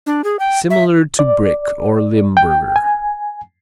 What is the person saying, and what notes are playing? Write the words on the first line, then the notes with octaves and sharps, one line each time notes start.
Similar to Brick or Limburger.
D4
G#4
G5
E5
D5
G5
G#5